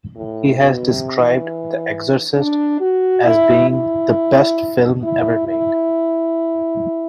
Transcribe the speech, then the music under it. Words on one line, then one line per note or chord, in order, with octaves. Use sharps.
He has described "The Exorcist" as being "the best film ever made".
A2
B2
C3
E3
D4
F#4
E4
E4
E4
E4